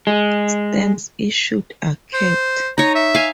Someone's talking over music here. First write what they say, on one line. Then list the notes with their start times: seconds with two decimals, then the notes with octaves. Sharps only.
Stamps issued are cat.
0.07 G#3
2.13 C5
2.78 D#4 C#5 A#5
2.95 E5
3.15 F5 G#5